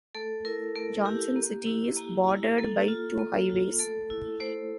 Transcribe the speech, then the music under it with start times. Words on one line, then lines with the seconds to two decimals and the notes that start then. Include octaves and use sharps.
Johnson City is bordered by two highways.
0.15 A3 A4
0.45 E4 A#4
0.75 A3 A#4
1.05 E4 G4
1.36 A#3
1.66 E4
1.97 A#3
2.28 E4
2.58 A#3 A4
2.88 F4
3.19 A#3
3.50 F4
3.79 A3 A4
4.10 E4
4.40 A3 C5